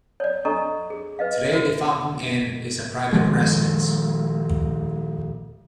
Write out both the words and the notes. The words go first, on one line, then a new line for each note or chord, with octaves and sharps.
Today, the Fountain Inn is a private residence.
C#5 D5
D4 A4 D#5 A#5 C#6
G#4
B4 D#5 F5
F#4 C5 E5
A#2 D#3 F3 G#3